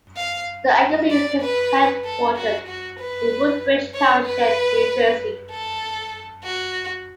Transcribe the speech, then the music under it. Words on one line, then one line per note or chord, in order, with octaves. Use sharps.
The agency is headquartered in Woodbridge Township, New Jersey.
F5
D5
B4
A4
F#4
F#4
B4
C#5
B4
A4
F#4